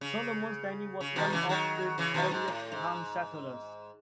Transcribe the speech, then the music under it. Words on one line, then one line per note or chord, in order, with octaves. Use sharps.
Salomon Stanley was one of the earliest town settlers.
C#3
C#3
B2 D#3
C#3 E3
D#3 F#3
C#3 E3
B2 D#3
G#2
A2
G#2